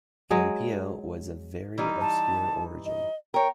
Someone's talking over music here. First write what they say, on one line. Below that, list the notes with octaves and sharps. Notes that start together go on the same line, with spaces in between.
Campillo was of very obscure origin.
F#3 G#3 G#4
E3 G3 D#4
A5
D#5
A#4 C#5 G5